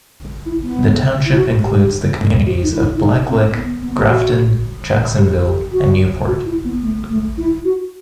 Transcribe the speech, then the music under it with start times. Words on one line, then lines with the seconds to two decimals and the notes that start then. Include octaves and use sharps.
The township includes the communities of Black Lick, Grafton, Jacksonville, and Newport.
0.46 E4
0.63 B3
1.26 E4
1.36 F#4
1.64 G4
2.46 F#4
2.63 D#4
2.72 E4
2.83 D#4
2.92 E4
3.00 D#4
3.28 C4
3.55 B3
3.82 B3
4.01 G4
4.09 F#4
5.18 G4
5.46 G4
5.73 F#4
6.27 F#4
6.46 E4
6.65 B3
6.82 A3
7.09 A3
7.38 E4
7.65 F#4